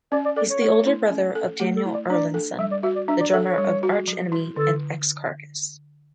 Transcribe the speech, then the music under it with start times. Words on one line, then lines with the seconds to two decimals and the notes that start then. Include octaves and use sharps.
He's the older brother of Daniel Erlandsson, the drummer of Arch Enemy, and ex-Carcass.
0.12 C#4 D5
0.25 D5
0.36 A4 D5
0.50 C#5
0.62 A3
0.87 E4
1.10 C#4
1.35 A4
1.60 A3 G4
1.76 A4
1.86 E4
1.94 D5
2.10 D4 D5
2.34 A4
2.59 G3 E5
2.71 D5
2.83 F#4 E5
2.95 D5
3.08 D4 E5
3.20 D5
3.33 A4 E5
3.45 C#5
3.58 G3
3.83 F#4
4.08 F#3
4.32 E4
4.56 D3 A4